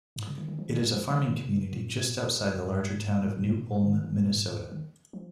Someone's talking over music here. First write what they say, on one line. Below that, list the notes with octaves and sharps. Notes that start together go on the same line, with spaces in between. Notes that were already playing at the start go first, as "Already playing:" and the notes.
It is a farming community just outside the larger town of New Ulm, Minnesota.
G#2
C#3
D#3
D#3
F3
D#3
G#2
F3
D#3
F3
D#3
A#2
C#3
A#2
G#2
A#2
F2
G#2
G#2
G#2
A#2
G#2
A#2
C#3
D#3
D#3
G#2
A#2
G#2
G#2
D#3
F3